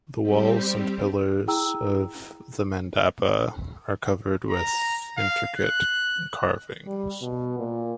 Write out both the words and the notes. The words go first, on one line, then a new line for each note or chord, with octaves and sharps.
The walls and pillars of the mandapa are covered with intricate carvings.
G3 C4 G4
E4 G#4 G5 A#5 E6
A#5
F5
F#6
G3
B2
A#2